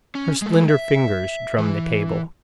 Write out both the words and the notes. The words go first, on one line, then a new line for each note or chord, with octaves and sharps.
Her slender fingers drummed the table.
C#4
G#3 A3
E5
E3